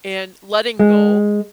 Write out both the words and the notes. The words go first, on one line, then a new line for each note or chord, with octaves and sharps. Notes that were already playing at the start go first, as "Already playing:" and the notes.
and letting go
G#3